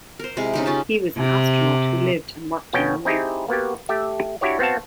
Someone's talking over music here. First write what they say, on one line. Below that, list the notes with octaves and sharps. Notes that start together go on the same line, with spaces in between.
He was an astronaut who lived and worked on the Moon.
A#4 C5
C3 G#3 E4 F5
C#3 D#4 G4
C#4 F4 A5
C3
F2 B2 C#4 F#4 G5
C4 D#4 E4 G4 G#4
A#3 B3 F#4 G4
A3 G4 E5
D4 E4 F#4 G4 C#5 D5
B3 C4 F#4 F5 A5